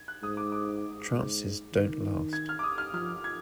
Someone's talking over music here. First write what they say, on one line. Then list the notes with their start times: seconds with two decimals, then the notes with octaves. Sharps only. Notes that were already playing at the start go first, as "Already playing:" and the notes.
Trances don’t last.
Already playing: G#6
0.08 F#6
0.23 G#2 D#6
0.37 D6
0.52 D6
1.13 G#2
1.73 D#3
2.33 G#6
2.49 F6
2.59 D6
2.63 D#6
2.78 F6
2.93 F3 F6
3.24 G#6